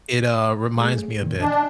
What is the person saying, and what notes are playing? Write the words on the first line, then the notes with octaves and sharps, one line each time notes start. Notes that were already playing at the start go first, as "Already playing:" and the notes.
It, uh, reminds me a bit
A3 G#4
A#2 D#3 E3
D4 D#5 G#5